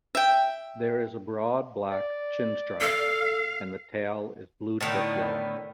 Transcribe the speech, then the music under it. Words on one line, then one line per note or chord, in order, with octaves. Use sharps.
There is a broad black chin stripe and the tail is blue tipped yellow.
E5 G5
D5
A4 F5
A2 D3 D#3 B3